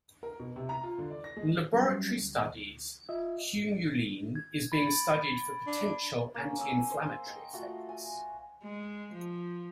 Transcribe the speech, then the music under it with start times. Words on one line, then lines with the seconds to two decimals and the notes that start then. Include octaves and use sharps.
In laboratory studies, humulene is being studied for potential anti-inflammatory effects.
0.23 A#4
0.40 B2
0.56 C3
0.69 A#5
0.83 F4
0.98 D3
1.11 D5
1.24 A#6
1.37 G#3
1.74 F#3 G3 C#4
2.20 D2
3.09 F4 D#5 E5
4.35 G#6
4.72 B5 A6 D7
5.67 D4
6.34 A#3 C#4
6.57 C#4 E6
6.90 C5
7.27 D#5 G5
7.53 A3 F4 F#4
7.89 G#5
8.63 G#3
9.13 F3